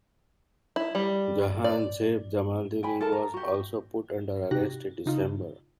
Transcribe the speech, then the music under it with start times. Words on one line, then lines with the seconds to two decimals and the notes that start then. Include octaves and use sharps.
Jahanzeb Jamaldini was also put under arrest in December.
0.76 E4
0.95 G3
1.64 D5
2.83 G5 G#5 B5
3.01 A4 A#4 A5
3.12 A#5
3.34 F#4 G4
4.51 C3 D#4 F#4 G4 F#6 A#6
5.06 C#3 D#4 F4